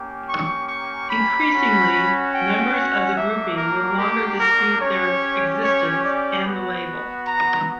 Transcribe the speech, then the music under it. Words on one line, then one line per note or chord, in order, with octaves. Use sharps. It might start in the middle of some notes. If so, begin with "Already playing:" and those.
Increasingly members of the grouping no longer dispute their existence and the label.
Already playing: A#3 C#4 G4
C#6
C#6
B5
C#4 F#4
G5
F#5
A#3 D4 F#4 E5
A#4
G4
A#4
C#4 G4 C#5
C#5
D5
B3 F#4
A#5